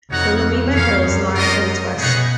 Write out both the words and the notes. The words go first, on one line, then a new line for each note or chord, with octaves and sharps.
The Loima Hills lie to its west.
F2 D#4 F#4 C#5 F#5
F2 C#4 G#4 C#5 F5
F#2
F#2 B3 F4 A#4 D#5
B2 B3 D#4 G#4 C#5 F#5